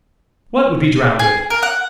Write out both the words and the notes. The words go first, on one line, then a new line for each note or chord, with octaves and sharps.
"What would be drownded?"
G#4
A#4
F#5